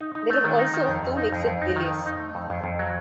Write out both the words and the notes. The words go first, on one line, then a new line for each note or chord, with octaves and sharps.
There are also two mixed relays.
D#4
D#4
A3
D#3
D#4
D#3
F2
F2
D#4
F2
F2
D#4
D#3
F2
D#4
A3
F2
F2
F2
F#3